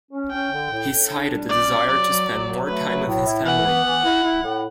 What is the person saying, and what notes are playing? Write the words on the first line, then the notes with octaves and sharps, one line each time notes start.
He cited a desire to spend more time with his family.
C#4
C#4 G5
D3
A2
A2
D4
G3
C#4 D5
F#3
F#3 D5
F#3
F#3
F#3
A3 B4
F#3
A2
E4
E3 F#5
B3
E3
E4
E4
A2